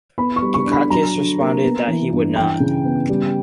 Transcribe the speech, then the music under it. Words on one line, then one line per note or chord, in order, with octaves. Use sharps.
Dukakis responded that he would not.
B3 B5
C#6
G3
C#6
D4
B5
F#3 A#5
D3
A#3
B3
E3
G2
E3 G5
C#3
B3
G3